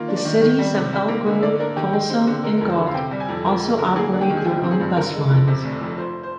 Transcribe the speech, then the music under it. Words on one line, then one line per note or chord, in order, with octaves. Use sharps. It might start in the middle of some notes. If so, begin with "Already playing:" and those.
The cities of Elk Grove, Folsom and Galt also operate their own bus lines.
Already playing: D#3 A#3 F4
D4
D5
D#3
D#3
G3
C3
G3
A#3
D3
A#3 D5
D4 A#4
D#3 G4
G#3 G4
C4
D3
G#3 A#4
F2 A#4
C5
D3
F5
C3 G5
G3
G#5
F2
F3 A#4
G#3
D3 A#4
A#3 G#4
D4
G4
D#3
G#4
F3 G4
C4
G#4
G2
D3 A#4
G#3
F2
C3
F1
F2
F3 C5
C5